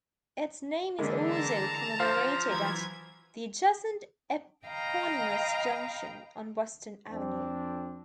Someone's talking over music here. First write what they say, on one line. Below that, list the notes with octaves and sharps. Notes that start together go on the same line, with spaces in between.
Its name is also commemorated at the adjacent eponymous junction on Western Avenue.
D3 E3 G#3 A#3
A5 A#5
F3 F4 C5 F5
E3 F#3 A#5 G#6
D#5 F5 G5 A#5 B5
F2 C4 D4